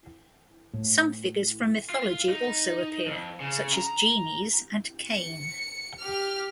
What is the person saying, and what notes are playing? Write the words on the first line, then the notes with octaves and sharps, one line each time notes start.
Some figures from mythology also appear, such as genies and Cain.
A2
F4
D#4
F2
C#3
A#5
C#7
G4 F6